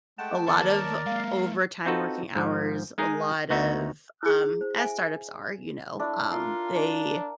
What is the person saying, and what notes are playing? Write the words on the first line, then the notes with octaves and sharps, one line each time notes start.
a lot of overtime working hours, a lot of, um as startups are, you know, um, they
G#3 A3 F#5 G5 A5
D#2 A#4 C#5 D5
G#3 A#3 F5
C4 D#4 F4 F#4 A4 B4
G#2 F3
G#3 D#4 G#4 A#4
D2 B3 D#4 F#4 E5
E4 G#4
C5
E5 G#5
A3 D4 E4
F4 A#4 F5
D4